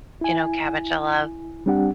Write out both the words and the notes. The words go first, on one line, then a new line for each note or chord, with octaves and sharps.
you know, cabbage. I love
E4 G#5
G3 C4 D4 G4 F#5